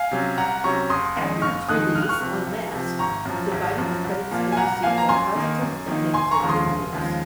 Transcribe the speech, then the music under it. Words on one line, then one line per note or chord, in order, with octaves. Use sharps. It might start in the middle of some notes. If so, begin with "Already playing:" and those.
After its release, Unmasked, divided the critics and received both positive and negative reviews.
Already playing: F5 G#5
C3 F#3 C#4
C2 F#5 A#5
C3 F#3 C#4 A#5 C#6
F#1 C6 D#6
F2 D#3 G#3 D#4
F#1 C#6 F6
F2 D#3 G#3 D#4 D#6 F#6
C#2 F6
F#6
C#6 F6
C3 F3
C#2
C3 F3
G#1 A#5 C#6
F#2 F3
G#1
F#2 F3
C2
A#2 F3 A#3
G#5
C2 F#5 A#5
A#2 F3 A#3 F5 G#5
A#5
F#2 G#5 C6
D#3 A#3 D#4
F#2
D#3 A#3 D#4
F1 G#5 C6
A#5 C#6
D#2 C#3 F3 G#3
C6 D#6
F1
D#2 C#3 F3 G#3